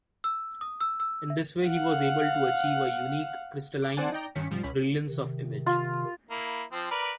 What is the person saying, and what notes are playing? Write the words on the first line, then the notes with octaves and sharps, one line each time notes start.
In this way he was able to achieve a unique crystalline brilliance of image.
E6
D#6
E6
E6
E5
F5 F#5
D6
C4 C5 D5 F#5 G#5 A5
D#4 D5 G5 A#5
G2 D#3 C#4 B6 C#7
G#2 F3 G3
C#2 C#4 B5
C3 D#3
F4
A#3 E4
F3 C4
A#4 B4 D5